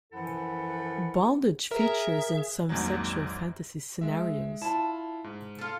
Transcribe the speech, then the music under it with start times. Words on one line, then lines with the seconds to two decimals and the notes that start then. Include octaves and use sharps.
Bondage features in some sexual fantasy scenarios.
0.12 F#2 E3 F3 E4 A4 F#5
1.71 G#4 A#4 E5
2.69 A#1 F2 G#2 D#3 F#3
4.01 G#3 E5
4.61 E4 F4 A5
5.24 G#2
5.59 F4 A4